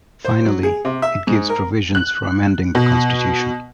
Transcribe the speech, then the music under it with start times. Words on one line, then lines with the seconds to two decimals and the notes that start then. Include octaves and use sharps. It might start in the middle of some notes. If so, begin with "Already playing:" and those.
Finally, it gives provisions for amending the constitution.
0.25 C5
0.45 F#3
0.63 G#4
0.85 C3
1.02 E5
1.27 G#2
1.49 A#4
1.95 F#6
2.75 B2